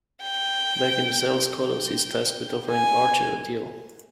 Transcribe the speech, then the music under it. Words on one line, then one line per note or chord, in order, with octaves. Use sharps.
Back in the cells, Kolos is tasked with offering Archer a deal.
G5
G5
G#5